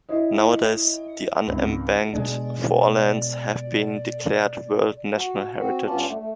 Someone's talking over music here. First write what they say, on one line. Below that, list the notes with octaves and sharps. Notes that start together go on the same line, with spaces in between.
Nowadays the unembanked forelands have been declared world natural heritage.
E4 C#5 D#5
G#1 C#2
B2 G#3 D4 D5
F#4
C4 F#4
G2 B3 C#4 F4 D5 A5
A3
A3